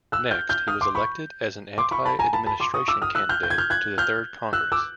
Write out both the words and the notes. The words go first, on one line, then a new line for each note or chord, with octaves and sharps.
Next, he was elected as an Anti-Administration candidate to the Third Congress.
E6 F#6
F6 G6
F6 G6
D#6 F6
C6 D6
B5 C#6
C6 D6
B5 C#6
A5 B5
G#5 A#5
A5 B5
A5 B5
C6 D6
C#6 D#6
D6 E6
D#6 F6
E6 F#6
F6 G6
G6
G#6
F6 G6
F#6 G#6
F6 G6
E6 F#6
D6 E6